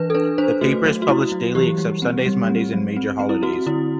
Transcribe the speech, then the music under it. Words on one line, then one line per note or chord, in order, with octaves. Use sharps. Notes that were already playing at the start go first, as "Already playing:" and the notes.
The paper is published daily except Sundays, Mondays and major holidays.
Already playing: E3 D4 B4
A4
D4 B4
D4 C5
A3 F#4
F#3
F#4
F#3 E4
F#3
E3 G4
G3
C4
G3
C4
F#3
C4
C4
E4
C4 F#4
D3 E4